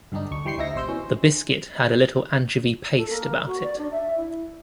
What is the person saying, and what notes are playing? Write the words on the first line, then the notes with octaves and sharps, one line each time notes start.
The biscuit had a little anchovy paste about it.
G2 D3 G3 D4 D#4
D2 C#6
E3 G3 G5 C6 C#6 C7
D2 F3 D#4 E4 E6 A#6
A1 C3 C5 E6 G6
B2 E3 C#4
A4
A#3
F#4
D5
D4
E5
E4